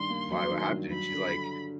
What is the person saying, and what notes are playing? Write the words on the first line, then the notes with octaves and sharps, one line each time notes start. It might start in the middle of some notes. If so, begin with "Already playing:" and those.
why, what happened?" and she's like,
Already playing: G2 D#3 C6
A#3
F#3 C6
D#3
G2
F#3 B5
D3